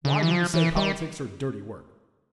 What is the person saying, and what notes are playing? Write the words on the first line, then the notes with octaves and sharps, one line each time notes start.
"Why do you say politics are dirty work?"
C#3
D3
E3
F3
E3
G3